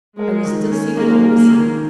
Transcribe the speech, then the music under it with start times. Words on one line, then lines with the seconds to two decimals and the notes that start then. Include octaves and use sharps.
I was still seated on Missy.
0.19 G#3 A#4
0.45 D#3
0.72 C#4
0.97 G#3 A#3
1.24 A#4
1.36 A#3
1.50 D#3